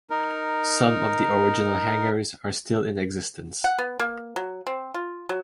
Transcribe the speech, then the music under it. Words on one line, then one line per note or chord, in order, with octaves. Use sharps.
Some of the original hangars are still in existence.
D#4 A#4
F#5
B3
A#3
F#3
C4
F4
F#3